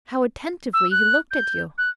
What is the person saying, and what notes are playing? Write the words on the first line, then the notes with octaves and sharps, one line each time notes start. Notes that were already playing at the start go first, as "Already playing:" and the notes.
"How attentively he looked at you."
E6
F#6
G6
F#6